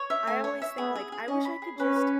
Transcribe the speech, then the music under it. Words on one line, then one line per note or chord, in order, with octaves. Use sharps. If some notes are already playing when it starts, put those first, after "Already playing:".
I always think, like, I wish I could just
Already playing: C#5
E5
A3 G#5
C#5
E5
B3 G#4
G#4
G#4
C#4 D#5
B5
G#4
C#4 B4
B4